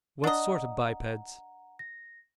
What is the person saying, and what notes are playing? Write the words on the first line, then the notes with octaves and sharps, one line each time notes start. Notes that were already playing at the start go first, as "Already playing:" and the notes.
"What sort of bipeds?"
D4 D#5 F#5 A#5
A#6